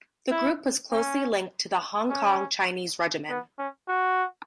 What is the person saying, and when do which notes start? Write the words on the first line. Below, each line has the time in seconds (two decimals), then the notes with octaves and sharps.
The group was closely linked to the Hong Kong Chinese Regiment.
0.31 E4
0.91 C#4
2.10 C#4
3.29 B3
3.58 C#4
3.88 F#4